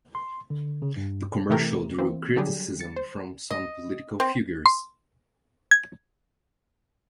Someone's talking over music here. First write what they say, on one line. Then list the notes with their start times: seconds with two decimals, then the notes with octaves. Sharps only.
The commercial drew criticism from some political figures.
0.15 C6
0.50 D3
0.82 C#3
0.97 G2
1.50 C3 E3 A3 G4 A#4
1.98 E3 A#3 C4
2.36 D3 F#3 G3 D4 G4 G#4
2.79 A6 C#7
2.96 C5
3.50 D#5
4.20 C4
4.66 C6
5.71 G#6